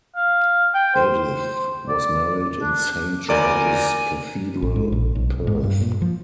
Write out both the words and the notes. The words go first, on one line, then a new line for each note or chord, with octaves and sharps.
Edith was married in Saint George's Cathedral, Perth.
F5
G5
C5
D5
D4
D2 A#4 D5 G#5 D6
A1
G#2
A#1
B1
G#2
G2
A#2
F3